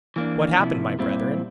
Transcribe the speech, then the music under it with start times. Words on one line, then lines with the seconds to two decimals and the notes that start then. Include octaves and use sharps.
What happened, my brethren?
0.16 E3 A#3 D4
0.58 C3 F3 A#3 E4
0.99 A#2 G3 C4 E4